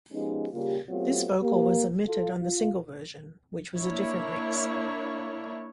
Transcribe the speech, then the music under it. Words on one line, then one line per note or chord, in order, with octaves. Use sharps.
This vocal was omitted on the single version, which was a different mix.
F3 G#3 B3 C#4 D#4 G4
C#3 G3 A#3 F4 G4
F#3 A3 B3 C4 F4 G4
A#3 G4
F4 A4
F4
A#3 D4 E4 C#5